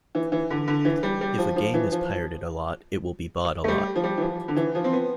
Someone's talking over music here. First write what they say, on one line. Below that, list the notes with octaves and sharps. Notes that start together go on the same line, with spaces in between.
If a game is pirated a lot it will be bought a lot.
E3
E3
D3
D3
E3
G3
G3
F3
F3
E3
F3
A3
G3
F3
G3
E3
F3
D3
E3
F3
C4
B3